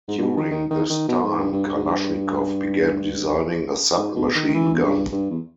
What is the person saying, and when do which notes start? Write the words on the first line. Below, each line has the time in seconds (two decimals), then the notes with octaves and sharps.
During this time Kalashnikov began designing a submachine gun.
0.08 G#2
0.18 A#2
0.22 B2
0.37 D#3
0.51 D#3
0.70 D#3
0.90 D#3
1.08 B2
1.23 G#2
1.38 G2
1.52 G2
1.66 G2
1.75 G#2
1.84 G2
3.96 G#2
4.15 B2
4.35 D#3
4.48 D#3
4.54 E3
4.74 E2
4.83 G2
5.12 G2
5.30 E2